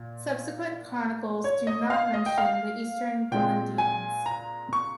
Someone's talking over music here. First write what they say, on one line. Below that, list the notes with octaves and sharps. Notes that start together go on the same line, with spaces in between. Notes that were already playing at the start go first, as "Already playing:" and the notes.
Subsequent chronicles do not mention the Eastern Galindians.
Already playing: A#2
C#5
D#5
F5
D#5
G5
F5
A#2 G#3 C4 G5
G#5
A#5
C#6